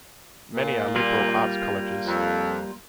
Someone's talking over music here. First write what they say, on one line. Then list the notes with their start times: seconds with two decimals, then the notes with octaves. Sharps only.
Many are liberal arts colleges.
0.54 A#2
0.96 G3 A#3 F4
2.06 F2